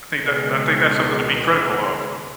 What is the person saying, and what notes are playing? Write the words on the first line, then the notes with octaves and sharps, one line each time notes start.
I think that I think that's something to be critical of.
C#2 B2 D#3 G#3